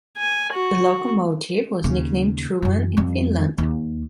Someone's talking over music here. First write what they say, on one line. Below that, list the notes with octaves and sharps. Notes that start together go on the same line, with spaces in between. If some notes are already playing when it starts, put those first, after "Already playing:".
The locomotive was nicknamed "Truman" in Finland.
G#5
F#4
D#2 C#3
F#2 E3
F2 G3
D#2